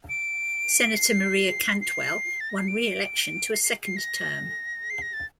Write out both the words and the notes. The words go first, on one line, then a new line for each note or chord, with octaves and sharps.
Senator Maria Cantwell won re-election to a second term.
D7
C7
C7
A6
A#6
C7
D7
C7
C7
C7
A#6
C7
A#6
A6